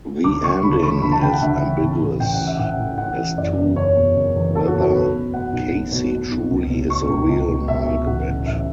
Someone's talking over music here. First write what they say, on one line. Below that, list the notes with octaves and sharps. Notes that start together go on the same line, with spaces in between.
The ending is ambiguous as to whether Casey truly is the real Margaret.
D2 D6
C#3 C#6
D2 B5
E3 C#6
D2 B5
A5
C#3 G5
F#5
D2 E5
E3
A1
A2
A1 G5
F#5
E3
E5
A1 F#5
A2
A1 F#5
E3
F#1 D5
E2
F#1 C#5
B2
F#1
E2
F#1 A4
F#4
B2
A4
B1 B4
B2
B2 F#5
B1
B1
B2
B2
B1
C#2
B2
B2 C#6
C#2
C#2
B2
B2 E5
C#2
A1 F#5
A2
A1 E5